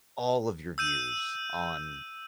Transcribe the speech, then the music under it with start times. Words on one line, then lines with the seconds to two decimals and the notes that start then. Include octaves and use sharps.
all of your views on
0.78 E6 G6 D#7